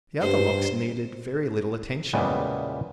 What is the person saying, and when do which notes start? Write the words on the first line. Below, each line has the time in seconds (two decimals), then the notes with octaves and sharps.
The other locks needed very little attention.
0.21 G2 C5
2.13 E2 A#2 C#3 G3 G#3 B3